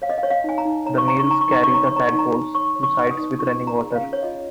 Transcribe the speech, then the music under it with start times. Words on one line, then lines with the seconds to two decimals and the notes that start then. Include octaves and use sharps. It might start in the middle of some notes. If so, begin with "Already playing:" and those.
The males carry the tadpoles to sites with running water.
0.02 C#5 F5
0.09 D#5
0.18 F5
0.23 C#5
0.30 F5
0.44 D#4 G#5
0.58 A#5
0.65 D#4
0.86 C#5 A#5
0.98 C#6
1.08 C#5 A#5
1.19 C#6
1.28 D#4 A#5
1.41 C#6
1.49 D#4 A#5
1.63 C#6
1.71 C#5 A#5
1.86 C#6
1.91 C#5 A#5
2.07 C#6
2.13 D#4
2.19 A#5
2.33 D#4
2.55 C#5 C#6
2.76 C#5
2.83 C#6
2.97 D#4
3.11 D#6
3.18 D#4
3.39 F4 C#6
3.60 C#4
3.67 A#5
3.82 G#4
3.95 F5
4.02 C#4
4.13 C#5
4.23 F4 D#5